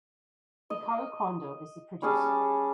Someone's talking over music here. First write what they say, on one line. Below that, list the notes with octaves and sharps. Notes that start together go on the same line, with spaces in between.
Hikaru Kondo is the producer.
D#5
G3 C#4 G#4 A5